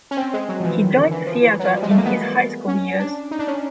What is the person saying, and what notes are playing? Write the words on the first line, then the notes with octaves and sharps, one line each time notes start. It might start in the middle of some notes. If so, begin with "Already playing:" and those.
He joined theater in his high school years.
C#4
C4
G#3
F#3
F3
E3
D#3
D3
E3
F3
E3
F#3
F3
G3
G#3
A3
A#3
B3
C#4
D4
D#4
D4
C#4